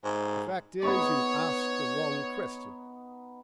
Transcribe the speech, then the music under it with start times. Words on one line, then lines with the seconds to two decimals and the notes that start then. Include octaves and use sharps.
The fact is you've asked the wrong question.
0.04 G#2
0.83 B3 D#4 C#5 C#6